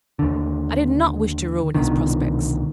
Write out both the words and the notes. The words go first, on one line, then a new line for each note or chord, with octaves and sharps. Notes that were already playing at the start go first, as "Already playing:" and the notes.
I did not wish to ruin his prospects.'
D#2 D3
C2 B2 D3 D#3